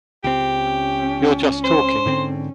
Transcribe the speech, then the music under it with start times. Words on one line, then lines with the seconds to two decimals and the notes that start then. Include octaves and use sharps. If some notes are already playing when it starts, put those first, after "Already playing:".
You’re just talking.
0.24 C#2 C4 G4
0.55 C#4
1.64 C5
2.06 G#2 D3 C4